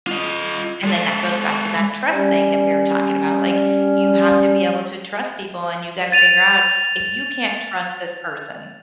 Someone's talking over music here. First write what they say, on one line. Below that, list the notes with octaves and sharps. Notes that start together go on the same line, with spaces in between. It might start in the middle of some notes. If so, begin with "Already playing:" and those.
and then that goes back to that trust thing that we were talking about, like, "You have to be able to trust people and you gotta figure out if you can't trust this person."
F4 D#5
G#3 A4
G3 C#4
A6 D#7 F7